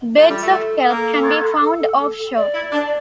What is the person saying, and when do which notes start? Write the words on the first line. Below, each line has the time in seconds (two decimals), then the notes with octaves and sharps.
Beds of kelp can be found offshore.
0.16 A3 F4
0.30 G3
0.42 A3
0.53 A4
0.90 A#3 A4
2.36 D5
2.54 E4
2.72 D4